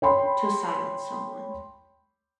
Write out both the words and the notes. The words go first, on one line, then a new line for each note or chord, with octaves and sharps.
To silence someone.
C#5 G5 B5 C6